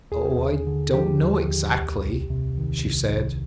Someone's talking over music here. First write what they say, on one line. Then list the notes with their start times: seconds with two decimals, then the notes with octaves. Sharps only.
"Oh, I don't know exactly," she said.
0.12 D#2 G#4
0.39 D#2
0.67 D3
0.94 F3 G4
1.21 D#2
1.48 D#2
1.76 C2
2.03 C2
2.30 C3
2.58 D#3
2.85 C2
3.13 C2